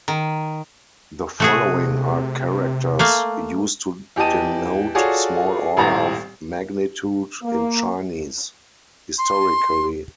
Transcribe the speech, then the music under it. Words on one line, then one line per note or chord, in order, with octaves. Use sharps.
The following are characters used to denote small order of magnitude in Chinese historically.
D#3
C3 A3 F#4 G#4
A3 A#3 F5
E2 G4 D#5 A5 D#7
F4 F#4 G#4 A4 C#5 D5
D#1 G#1 A2 F#5 A#5 A6
A#3
C6